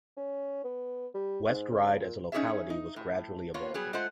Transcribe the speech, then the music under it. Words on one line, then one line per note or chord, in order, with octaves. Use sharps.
West Ryde as a locality was gradually evolving.
C#4
B3
G3
G#2
C#3
A#2
C#4 D#4 G4 G#4 C#5 E5
D#4
A2
A#3 B3 F4 C#5
F#3 G3 B3 G#4
G#3 A3 F4 C5 F#5